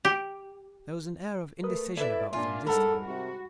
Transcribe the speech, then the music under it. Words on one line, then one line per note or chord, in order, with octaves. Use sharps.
There was an air of indecision about them this time.
G4
A3 A#4 B4 D#6
E4 A4 B4 D5 E5
A#2 A#3 D4 F4 E5 G#5
G#2 G3 A4 A#4 F#5 B5
C3 F#4